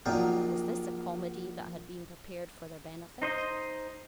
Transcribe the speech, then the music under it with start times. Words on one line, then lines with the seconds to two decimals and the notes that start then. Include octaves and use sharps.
Was this a comedy that had been prepared for their benefit?
0.06 A#1 A#2 F#3 D#4 G5
3.22 D#4 C5 D#5